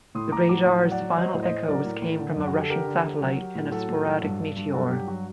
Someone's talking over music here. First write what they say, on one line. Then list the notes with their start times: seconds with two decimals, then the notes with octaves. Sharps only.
The radar's final echoes came from a Russian satellite and a sporadic meteor.
0.15 A2 C6 D#6
0.32 A2 A#5 D6
0.49 F#3 A#5 D6
0.66 A2
0.83 F#3
0.91 D5 F#5
1.00 F#3
1.17 F#3 C5 D#5
1.34 A2
1.42 C5 D#5
1.51 A2
1.68 F#3 A#4 D5
1.85 A2
2.02 A2
2.19 D3
2.36 F#2
2.47 F#4
2.53 D3 G4
2.63 A4
2.70 D3 G4 A#4
2.87 D3
3.04 D3
3.21 F#3
3.38 F#3
3.55 A2
3.72 F#3 F#4 A4
3.89 A2
4.06 F#3
4.23 G2
4.40 G2
4.57 G2
4.74 F#3 F#4 A4
4.91 G2 G4
5.08 F#3 F#4